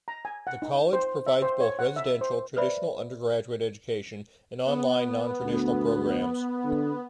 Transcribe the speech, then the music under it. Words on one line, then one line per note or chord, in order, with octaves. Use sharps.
The college provides both residential, traditional undergraduate education and online, non-traditional programs.
A#5
G#5
F#5
D#4
C5
E5
C5
C#5
F#5
E5
C5
B4 C5 D5 E5 B5
B3
D2
D3